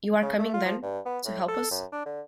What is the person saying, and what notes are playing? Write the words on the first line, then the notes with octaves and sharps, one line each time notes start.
You are coming, then, to help us?
C#3
A3
F4
F3
G2
B3
A2
A4
F#2
D4
D3